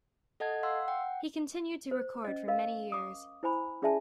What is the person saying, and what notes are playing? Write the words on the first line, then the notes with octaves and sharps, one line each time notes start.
He continued to record for many years.
A4 D#5 F#5 A5 G#6
F5 F#5 C6 E6
F#5 G5
C5
C#4 D#5
A#4 D#5 F5
D6 D#6
E4 C5 G#5 B5
C#4 G#4 D5 E5 G#5 A5